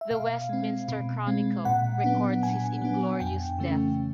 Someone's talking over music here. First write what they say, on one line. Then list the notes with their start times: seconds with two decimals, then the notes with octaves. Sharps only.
The Westminster Chronicle records his inglorious death.
0.01 E5
0.11 B2 F5
0.49 G#3 C4
0.88 B2
1.27 G#3 C4
1.65 A#2 F#5
2.04 F#3 B3 D4
2.43 A#2 G#5
2.81 F#3 B3 D4
3.20 F2 G5
3.59 C#3 E3 A3 C#4